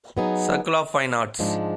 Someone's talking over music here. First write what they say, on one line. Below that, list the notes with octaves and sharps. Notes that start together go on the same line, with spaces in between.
Circle of Fine Arts.
F#3 B3 D#4 G#4
G#2 F3 G#3 D4